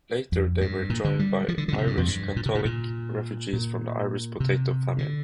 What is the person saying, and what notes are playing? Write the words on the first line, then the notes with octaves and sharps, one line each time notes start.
Later they were joined by Irish Catholic refugees from the Irish Potato Famine.
F2
G2
A#2
D3
G3
F3
D3
A#2 D3
C3
G2
F2
G2
A#2
C3
A#2
A#2
A#2
C3
D3